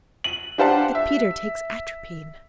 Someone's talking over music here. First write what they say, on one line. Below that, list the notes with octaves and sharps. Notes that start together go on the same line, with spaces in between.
'That Peter takes atropine.'
D#7 F#7
D4 G4 C5 F5 F#5 A5
E5